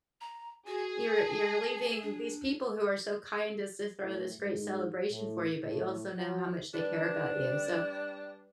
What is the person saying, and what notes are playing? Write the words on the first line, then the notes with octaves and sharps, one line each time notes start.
you're you're leaving these people who are so kind as to throw this great celebration for you, but you also know how much they care about you. So,
A#5
F#4 G#4
A5
D4
A2
G#2
A2
A2
F#3
G3 D4 B4 D5